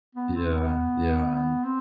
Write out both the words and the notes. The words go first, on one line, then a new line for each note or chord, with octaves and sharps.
Yeah, yeah, and
B3
C4
B3
B3
C4